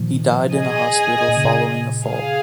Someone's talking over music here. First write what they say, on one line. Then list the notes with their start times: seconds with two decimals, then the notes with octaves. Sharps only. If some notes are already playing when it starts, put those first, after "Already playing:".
He died in a hospital following a fall.
Already playing: A#2 D#3 F3
0.54 G#4 D#5 G#5
1.29 A#2
1.37 C#3
1.44 A#2
2.04 G#4 F5 G#5